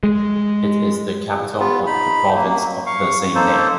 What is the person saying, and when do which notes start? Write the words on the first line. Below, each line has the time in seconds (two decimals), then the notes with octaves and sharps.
It is the capital of the province of the same name.
0.03 G#3
1.59 B3 F4
1.86 D#4 B5
2.34 F#3 A#3
2.86 F5 C#6
3.35 A#3 D#4 A4 C5